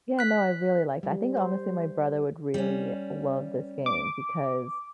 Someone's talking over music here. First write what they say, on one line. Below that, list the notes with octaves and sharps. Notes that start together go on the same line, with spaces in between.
Yeah, no, I really like that, I think, honestly, my brother would really love this game because
F#6 B6
G3
C5
G3 C#4
D6